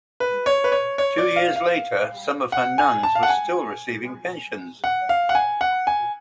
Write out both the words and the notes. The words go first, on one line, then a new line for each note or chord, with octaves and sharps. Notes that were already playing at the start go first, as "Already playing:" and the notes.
Two years later some of her nuns were still receiving pensions.
B4
C#5
B4
C#5
C#5
D5
F5
F5
F#5
G#5
A5
F5
F#5
G#5
F#5
F5
F#5
G#5
F#5
G#5